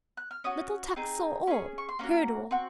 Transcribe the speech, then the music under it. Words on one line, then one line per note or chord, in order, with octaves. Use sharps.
Little Tuk saw all, heard all.
F#6
F6
C#4 F#4 D#6
C4 D#4 G#4
C#4 G#4 C#6
C#6
C6
A#3 C#4 F#4 A#5
C4 F#4